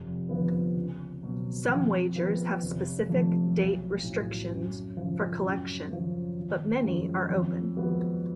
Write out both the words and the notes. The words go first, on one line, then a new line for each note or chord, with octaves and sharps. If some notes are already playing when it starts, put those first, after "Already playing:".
Some wagers have specific date restrictions for collection, but many are open.
Already playing: F1
F2 D3 F3 B3
C#2
B2 F#3
F2
F3 B3
F1
F2 F3 A3
B1
A2 F#3
F#2
C#3 F3
F#2
C#3 F3
G#1
F#2 F3 G#3
F2
F3 G#3 B3 F#4